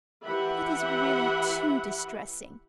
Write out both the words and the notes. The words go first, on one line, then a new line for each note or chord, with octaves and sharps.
It is really too distressing.
E3 G4 E5 F#5 B5